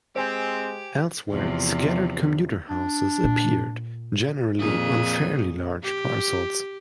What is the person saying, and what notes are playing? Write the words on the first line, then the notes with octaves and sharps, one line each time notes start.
Elsewhere, scattered commuter houses appeared, generally on fairly large parcels.
G#3 C4 G4 C5 G#5
E2 C3 F3
D4
A#2
F2 A#2 G#4
G4